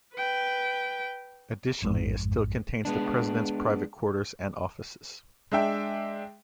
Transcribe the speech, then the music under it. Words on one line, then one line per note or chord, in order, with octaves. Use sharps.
Additionally, it still contains the president's private quarters and offices.
B4 G5
A1 F2 G#2
G#3 B3 D4
G#3 D4 E5 G5